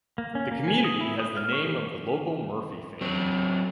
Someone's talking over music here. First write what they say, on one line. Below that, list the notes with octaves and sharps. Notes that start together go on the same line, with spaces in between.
The community has the name of the local Murphy family.
A#3
C#4
A#3
G#5
D#6
E4
D#6
F6
C#6
G4
F#3 C4